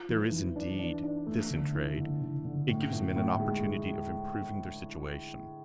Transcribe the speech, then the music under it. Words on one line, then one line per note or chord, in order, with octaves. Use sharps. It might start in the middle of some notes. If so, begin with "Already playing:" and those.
There is, indeed, this in trade:--it gives men an opportunity of improving their situation.
Already playing: F4
E3
E3
D4
D4
D4
A3
D3
E4
D3
D3
D3
A2
A2
A2
G#3